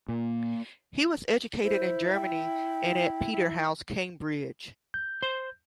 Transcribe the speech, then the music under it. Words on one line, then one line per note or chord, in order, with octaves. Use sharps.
He was educated in Germany and at Peterhouse, Cambridge.
A#2
E4 C5
G5
E4
G6
C5 C6